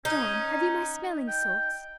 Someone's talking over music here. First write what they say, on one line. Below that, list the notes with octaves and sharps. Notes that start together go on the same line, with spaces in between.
John, have you my smelling salts?
C#4 D#4
G5